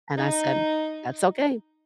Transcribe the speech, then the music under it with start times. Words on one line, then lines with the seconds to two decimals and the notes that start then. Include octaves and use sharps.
and I said, "That's okay"
0.18 D#4